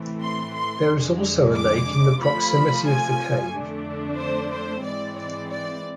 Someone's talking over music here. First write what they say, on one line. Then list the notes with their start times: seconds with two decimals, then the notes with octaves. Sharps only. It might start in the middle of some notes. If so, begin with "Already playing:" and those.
There is also a lake in the proximity of the cave.
Already playing: A2 E3 A3 C4
0.22 C6
0.55 C6
0.88 F2 D3 G#3 D4
1.54 D6
2.20 C3 F3 A3 B5
2.87 G#5
3.52 F2 D3 A3 D4
4.18 C5
4.51 C5
4.83 G#2 E3 G#3 C4 D5
5.17 D5
5.51 D5